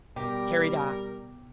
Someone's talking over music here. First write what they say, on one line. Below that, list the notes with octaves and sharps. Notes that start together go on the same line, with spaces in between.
Carried off?
B2 G3 G4 A#4